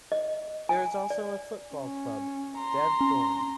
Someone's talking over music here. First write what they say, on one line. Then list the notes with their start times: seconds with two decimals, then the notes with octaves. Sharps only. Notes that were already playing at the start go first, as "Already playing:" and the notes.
There is also a football club, Dev Doorn.
0.12 D#5
0.69 G#5
1.10 D5
1.75 C#4
2.58 A#5 C6
3.01 C#4